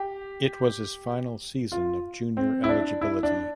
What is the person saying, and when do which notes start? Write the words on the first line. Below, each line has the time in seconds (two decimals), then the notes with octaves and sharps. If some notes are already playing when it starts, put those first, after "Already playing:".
It was his final season of junior eligibility.
Already playing: G4
1.72 F4
2.37 C4
2.64 E4
2.69 D4
3.01 E4
3.23 D4